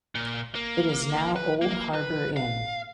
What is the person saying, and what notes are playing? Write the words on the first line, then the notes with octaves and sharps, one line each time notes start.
It is now Olde Harbour Inn.
A#2
A#3
B4
A#3
B4
F5